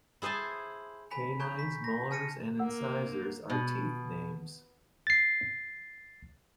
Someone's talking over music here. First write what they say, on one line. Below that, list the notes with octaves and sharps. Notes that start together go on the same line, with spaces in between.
Canines, Molars and Incisors are teeth names.
E4 G#4 C5 G#5 A5
G#5 B5 B6
G#5 A#5 C#6 G6
B6
A#6
G#5 A5 F6 A#6 C#7 D#7
A#3 F#5 E6
B2
A6 C7